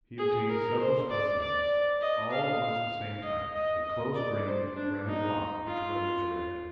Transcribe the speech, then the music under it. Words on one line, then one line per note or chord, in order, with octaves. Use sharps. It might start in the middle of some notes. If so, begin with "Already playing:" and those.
He obtained several specimens, all of much the same type, a close-grained granite rock which weathers red.
G#4
A#4
C5
D5
D5
D#5
F5
D#5
D#5
D#5
D5
C5
D4
D#4
F4